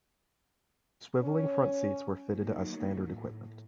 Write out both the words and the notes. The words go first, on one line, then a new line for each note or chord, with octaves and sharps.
Swivelling front seats were fitted as standard equipment.
C#4
D#3 F#3 A#3
A2